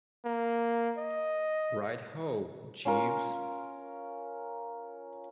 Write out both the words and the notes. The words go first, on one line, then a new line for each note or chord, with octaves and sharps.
Right ho, Jeeves.
A#3
D#5
C#4 F4 A#4